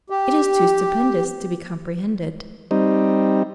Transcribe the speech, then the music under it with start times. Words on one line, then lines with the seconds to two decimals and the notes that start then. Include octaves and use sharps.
It is too stupendous to be comprehended.
0.10 G4
2.71 G3 C4 D#4